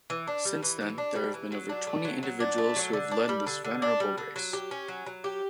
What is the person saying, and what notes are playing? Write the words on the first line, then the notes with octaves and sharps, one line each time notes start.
Since then there have been over twenty individuals who have led this venerable race.
E3
D4
G3
E3
E3
D4
G3
E3
F#3
D4
A3
F#3
F#3
D4
A3
F#3
D3
D4
G3
D3
D3
D4
G3
D3
F#3
G4
C#4
F#3
F#3
G4